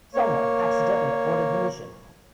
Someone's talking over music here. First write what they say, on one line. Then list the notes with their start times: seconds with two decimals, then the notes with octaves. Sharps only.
Someone accidentally aborted the mission.
0.14 A#3 C#5